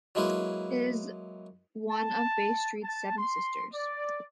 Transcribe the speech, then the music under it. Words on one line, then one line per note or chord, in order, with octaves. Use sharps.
It is one of Bay Street's "Seven Sisters".
F#3 G#3 A#3 E4 B4
A5
A5
C6
D5